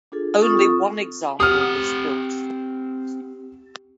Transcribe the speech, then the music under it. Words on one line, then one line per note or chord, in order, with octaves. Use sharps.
Only one example was built.
D4 F4 G#4 A4
C4 F4 A4 C#6 D#6
C4 G4 F#5 D#6 F6